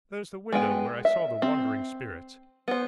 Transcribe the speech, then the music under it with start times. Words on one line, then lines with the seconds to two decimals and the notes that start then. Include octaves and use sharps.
There's the window where I saw the wandering Spirits!
0.52 G#3 B3 G5 G#5
1.05 E5
1.42 C4
2.68 B3 C5